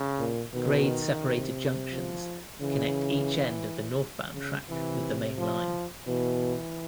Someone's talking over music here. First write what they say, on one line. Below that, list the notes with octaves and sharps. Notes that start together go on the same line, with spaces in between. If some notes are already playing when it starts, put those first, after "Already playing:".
Grade-separated junctions connect each end of the northbound track with the main line.
Already playing: C#3
A#2
B2 D#3
C3
F3
C#3 E3
C#3
C3 E3
F3
B2 E3